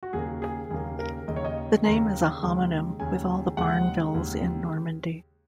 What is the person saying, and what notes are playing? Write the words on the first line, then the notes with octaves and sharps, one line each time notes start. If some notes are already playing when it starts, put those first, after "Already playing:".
The name is a homonym with all the Barnevilles in Normandy.
F#4
D#2 C#3 A#3 G#4
G#4
D#2 C#3 A#3 G#4
A#4
D#2 C#3 A#3 D#5
C#5
D#5
D#2 C#3 A#3 A#5
D#2 C#3 G#3
D#2 C#3 G#3 G#5
D#2 C#3 G#3 F#5
D#2 C#3 G#3